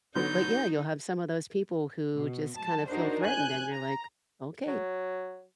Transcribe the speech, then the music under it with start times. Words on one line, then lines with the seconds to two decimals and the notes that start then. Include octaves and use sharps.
But, yeah, you'll have some of those people who just kinda feel threatened and you're like, "Okay."
0.15 D3 F#3 B3 D#4 G6
2.16 B2
2.57 A5
2.89 D4 D#4 F#4 A#4 C5
3.25 G#5 F#6 G6
3.73 A#5
4.68 F#3